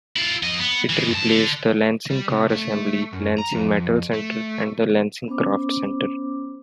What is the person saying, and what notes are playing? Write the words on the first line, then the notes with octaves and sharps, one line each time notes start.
It replaced the Lansing Car Assembly, Lansing Metal Center, and the Lansing Craft Center.
E4 F4
F2 D#5
B3
E3 G#3
G2 A5
D3
G3
C3
A3
F#2
A#5
F2
A3
B3 C#4 C5 D6